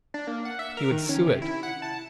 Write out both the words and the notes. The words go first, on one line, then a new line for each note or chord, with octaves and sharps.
He would sue it.
D4
A#3
F#5
E5
A#4
D#3
C#4
C3
E4
F#5
A5